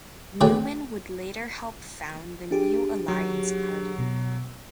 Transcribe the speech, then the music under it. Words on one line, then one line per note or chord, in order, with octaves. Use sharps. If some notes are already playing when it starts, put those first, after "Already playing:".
Newman would later help found the New Alliance Party.
D3 F#3 A3 G#4 G5 D6
D4 G4 G#4
F#3
B2